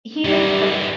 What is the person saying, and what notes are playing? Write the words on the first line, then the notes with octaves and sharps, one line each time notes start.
he makes the
F#2 E3 G3